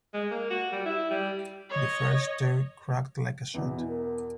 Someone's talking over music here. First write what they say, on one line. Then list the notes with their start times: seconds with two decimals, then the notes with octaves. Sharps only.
The first stair cracked like a shot.
0.14 G#3
0.31 A#3
0.50 F#4
0.72 G3
0.86 E4
1.11 G3
1.70 C#5 D#5
3.54 E2 B2 E3
3.89 A#4